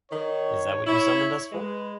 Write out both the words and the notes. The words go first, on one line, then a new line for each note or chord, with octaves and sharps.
Is that what you summoned us for?
D#3 C#5
E4 C#5
G#3 B4